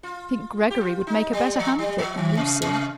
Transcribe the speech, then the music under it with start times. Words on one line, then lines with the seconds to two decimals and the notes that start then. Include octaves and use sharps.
"I think Gregory would make a better hand of it than Lucy."
0.03 F4
0.70 G4
0.81 F4
1.07 D#4
1.33 G3
1.59 F3
1.79 G3
1.98 F3
2.17 D#3
2.37 C3
2.63 C3